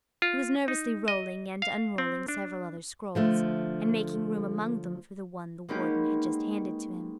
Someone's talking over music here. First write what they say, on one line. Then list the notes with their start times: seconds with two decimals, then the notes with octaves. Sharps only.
He was nervously rolling and unrolling several other scrolls, and making room among them for the one the Warden had just handed to him.
0.22 F4
0.68 D#4
1.08 D#5
1.62 F5
1.98 C4
2.28 D4
3.15 D3 F3 A3
5.69 G#3 A#3 B3 C#4 D#4 G4